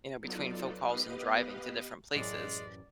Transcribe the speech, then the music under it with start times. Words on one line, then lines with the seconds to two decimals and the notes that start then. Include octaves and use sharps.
you know between phone calls and driving to different places.
0.20 F#3 B3 D#4 F4 A4 D5
0.85 B3 G4 B4 D#5 F5
2.16 A1 F#2 G#3 D5